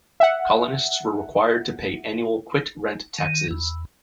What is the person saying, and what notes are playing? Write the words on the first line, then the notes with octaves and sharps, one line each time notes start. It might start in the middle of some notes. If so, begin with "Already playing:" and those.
Colonists were required to pay annual quit-rent taxes.
E5 F#5
D#3
E2